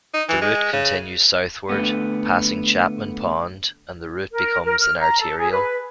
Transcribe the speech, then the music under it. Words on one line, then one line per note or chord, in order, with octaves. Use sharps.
The route continues southward, passing Chapman Pond and the route becomes an arterial.
D#4
E3
G#3
C#3
D3 A3 B3
A#4
A#4
F6
A#5
A4
G#4
B4